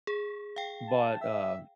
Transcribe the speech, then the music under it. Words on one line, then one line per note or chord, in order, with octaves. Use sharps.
But, uh,
G#4
F5 G5
A5
E5